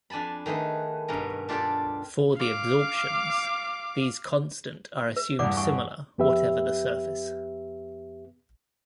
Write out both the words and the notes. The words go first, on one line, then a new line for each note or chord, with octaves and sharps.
For the adsorptions, these constant are assumed similar whatever the surface.
F2 D4 G#5 A5 B5
D#3 A3 G#4 B4
G2 B2 C#4 A#4
D4 F4 G4 A4 D5
F5 D6
B4
E2 G2 D5 F#5 D6
F#5 G#5 C#6
F2 B3 G4 B4 E5